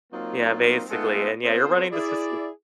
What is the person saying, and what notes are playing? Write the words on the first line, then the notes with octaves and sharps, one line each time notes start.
Yeah, basically, and yeah, you're running this facil
F#3 A#3 C4 D#4 F4
G#3 A3 B3 D#4 F4 A4
B3 C4 F4 A4 C5
E4 G#4 D5